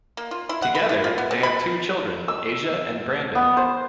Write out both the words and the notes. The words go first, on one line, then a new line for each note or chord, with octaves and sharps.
Together, they have two children, Asia and Brando.
A#3
F4
E4
F#5
B5
E4
F4
B3
C4
B5
E6
B3
C5